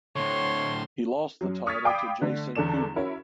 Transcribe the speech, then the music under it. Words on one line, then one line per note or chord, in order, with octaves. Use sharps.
He lost the title to Jason Kubler.
A2 D3 C5 C#5 C6
F#2 F#3
C#6 D#6 F6 G#6 A6 B6
D5 F5 G5 B5 D6 D#6
D3 A3
E2 D3 A4 D5 E7
C#4 E4 F#4 A#4